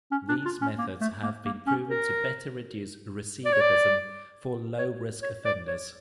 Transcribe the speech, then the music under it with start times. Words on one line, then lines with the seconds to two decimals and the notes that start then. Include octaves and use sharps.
These methods have been proven to better reduce recidivism for low-risk offenders.
0.11 C#4
0.28 D4
0.45 F4
0.62 C#4
0.78 A#3
1.01 A3
1.23 A#3
1.45 A#3
1.67 C#4
1.89 A#4
3.45 D5
3.53 C#5
3.61 D5
4.78 C#5
5.22 C#5
5.45 D5
5.67 C#5